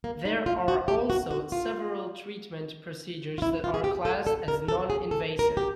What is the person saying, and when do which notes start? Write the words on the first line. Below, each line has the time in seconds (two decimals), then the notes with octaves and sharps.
There are also several treatment procedures that are classed as non-invasive.
0.04 A#3
0.25 D#4
0.46 F4
0.68 F#4
0.88 G4
1.10 F#4
1.31 F#4
1.52 F4
3.38 F4
3.42 E4
3.64 F4
3.74 G#4
3.84 G4
4.05 A4
4.27 A4
4.48 A#4
4.68 A4
4.90 G#4
5.11 A4
5.39 A#4
5.57 G4